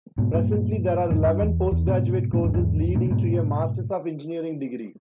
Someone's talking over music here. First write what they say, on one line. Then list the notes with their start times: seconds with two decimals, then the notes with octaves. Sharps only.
Presently there are eleven post-graduate courses leading to a Masters of Engineering degree.
0.18 G#2 B2
0.34 G2 A#2
1.10 E2 G#2
1.26 G2
1.41 E2
1.72 E2
1.87 G#2 B2
2.33 G2 A#2
2.44 E2 G#2
2.54 E2 G#2
2.95 G2 A#2
3.06 C#3
3.10 G#2 B2